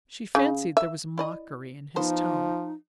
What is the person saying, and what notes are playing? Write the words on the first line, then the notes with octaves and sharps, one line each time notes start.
She fancied there was mockery in his tone.
C#3
E5
E4 D5 D#5
F3 B3 D#4 C5